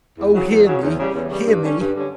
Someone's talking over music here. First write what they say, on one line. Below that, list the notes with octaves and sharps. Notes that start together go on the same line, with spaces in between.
Oh, hear me! hear me!
E2
C#3 F#3
E2
C#3 F#3
E2
C#3 G3
E2
C#3 G3
G2
D3 G3 C#4
G2
D3 G3 C#4